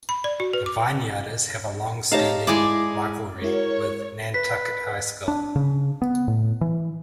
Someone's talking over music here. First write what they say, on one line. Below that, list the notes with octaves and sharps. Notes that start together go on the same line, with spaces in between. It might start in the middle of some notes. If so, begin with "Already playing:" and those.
The Vineyarders have a long-standing rivalry with Nantucket High School.
B5
D5
F#4
B4
D6
D#4 G4 C#5 F5 A5 A#5
G#3 E4 G#4 D5
G#3 E4 F#4 A#4 C#5
B4 B6
D4
C#3
B3
A2
E3